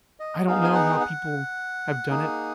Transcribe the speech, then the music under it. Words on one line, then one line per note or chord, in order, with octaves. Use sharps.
I don't know how people have done it.
D#5
B3 D#4 G#4 F5
G#5
F#5
F#5
A#3 D#4 G#4